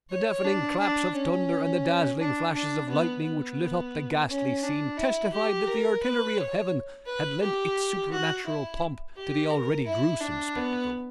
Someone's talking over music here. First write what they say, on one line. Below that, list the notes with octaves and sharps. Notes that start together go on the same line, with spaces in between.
The deafening claps of thunder and the dazzling flashes of lightning which lit up the ghastly scene testified that the artillery of heaven had lent its supernatural pomp to the already gruesome spectacle.
C#5
D4
D4
C#4
D4
D4
B3
B3
C#4
D4
E4
G4
A#4
B4
C#5
B4
G4
F#4
E4
G4
A#4
E4
D4
B3